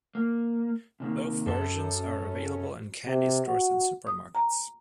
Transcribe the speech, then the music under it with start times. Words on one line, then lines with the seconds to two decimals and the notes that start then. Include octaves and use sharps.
Both versions are available in candy stores and supermarkets.
0.15 A#3
1.00 C3 D#3 A#3
1.46 F#2 A4
3.07 C3
3.47 F#4
4.07 D#6
4.35 A#5